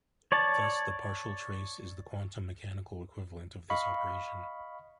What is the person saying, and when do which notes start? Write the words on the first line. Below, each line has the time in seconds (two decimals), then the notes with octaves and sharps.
Thus the partial trace is the quantum mechanical equivalent of this operation.
0.32 C#5 D5 A5
3.70 D#5 F5 B5 C#6